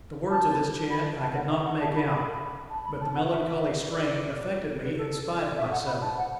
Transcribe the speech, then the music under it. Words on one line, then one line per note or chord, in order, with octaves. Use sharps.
The words of this chant I could not make out, but the melancholy strain affected me in spite of myself.
A5
B5
A5
F#5
E5
F#5
A5
B5
B5
A5
B5
A5
F#5
E5
D5
B4
A4
A4
A4
D5
E5
F#5
B5
A5
F#5